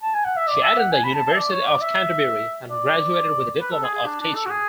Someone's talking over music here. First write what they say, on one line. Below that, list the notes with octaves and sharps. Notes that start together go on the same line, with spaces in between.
She attended the University of Canterbury and graduated with a Diploma of Teaching.
A5
G#5
F#5
E5
D5
E5
F#5
G#5
B5
A5
A5
E5
D5
C#5
D5
E5
D5
B4
A4
G#4
G#4
D4
D4
A4
F#4
G#4